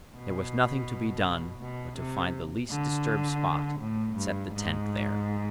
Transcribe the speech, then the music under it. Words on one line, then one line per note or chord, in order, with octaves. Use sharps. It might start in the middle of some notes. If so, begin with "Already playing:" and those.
There was nothing to be done but to find the least disturbed spot, and set the tent there.
B2
B2
C3
D3
A2
G2
G#2